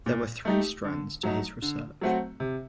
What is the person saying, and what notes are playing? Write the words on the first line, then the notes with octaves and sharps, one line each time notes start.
There were three strands to his research.
A#2
A3 D#4 G4
D3
F#3 A3 D#4
D3
F#3 A3 C4 F#4
C3